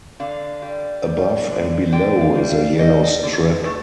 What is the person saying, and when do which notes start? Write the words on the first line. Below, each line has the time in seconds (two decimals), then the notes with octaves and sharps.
Above and below is a yellow strip.
0.20 D3 F5
0.62 G3
1.06 G3
1.49 D3
1.92 D3 G5
2.21 F5
2.35 G3
2.50 F5
2.79 G3 D#5
3.23 D3
3.65 A3